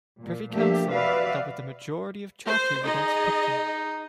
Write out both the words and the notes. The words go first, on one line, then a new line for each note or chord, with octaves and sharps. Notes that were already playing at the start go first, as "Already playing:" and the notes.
The Privy Council dealt with the majority of the charges against Picton.
A#2
F3 A3 A#3 D4 G4 E5
F#4 B4 D5 E5 F5
C5
D#4 G#4 D#5